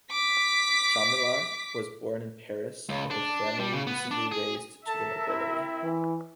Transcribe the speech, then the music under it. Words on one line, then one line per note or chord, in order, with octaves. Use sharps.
Chamillart was born in Paris of a family recently raised to the nobility.
D6 B6
C#2
D4
G3
C#3
B3
D4
G#4
A4 A#4 E5 A5
C4 E4
E3